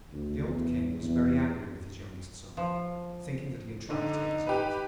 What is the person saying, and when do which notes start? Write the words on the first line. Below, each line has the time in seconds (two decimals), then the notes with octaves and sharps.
The old King was very angry with his youngest son, thinking that he had tried to take his life.
0.13 D2
0.47 E2
1.02 E2
2.57 F3
3.90 D3 D#4
4.47 G4 B4